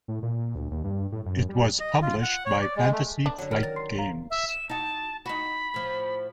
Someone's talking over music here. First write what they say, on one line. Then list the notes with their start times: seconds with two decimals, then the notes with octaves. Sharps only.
It was published by Fantasy Flight Games.
0.08 A2
0.23 A#2
0.55 D2
0.71 D#2
0.84 G2
1.12 A2
1.25 F#2
1.49 G3
1.80 D#5
2.02 F4
2.23 F#5
2.46 C#5
2.61 D5
2.76 G#3
2.92 A3
3.26 D4
3.38 D3 F#3
3.51 D#3 A#4 F6
3.63 A#4 A6
3.76 C6 C7
3.98 F5 A#5
4.30 E5
4.49 E7
4.69 D#4 F#4 A5
5.26 D#4 F#4 B5
5.74 A2 F3